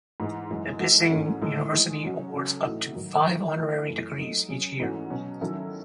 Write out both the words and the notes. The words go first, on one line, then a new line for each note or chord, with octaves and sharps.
Nipissing University awards up to five honorary degrees each year.
G#2 E3 G#3
F#2 E3 G#3 D#4
E3 G#3 D#4 F#4 A4
G#2 E3 A3 C#4
A2 G#3 D#4 A4
E3 G#3 D#4
F#3 C#4 F#4
C#3 F#3 C#4 F#4 A4
A2 E3 A3 D#4 F#4
G#2 D#3 F#3
D#3 A3 E4
E3 A3 E4 A4
F#2 E3 A3
F#3 A3 D#4
F#3 C#4 G#4
G#2 E3 A3 C#4 F#4
B2 F#3 C#4
D#3 F#3 C#4 E4 A4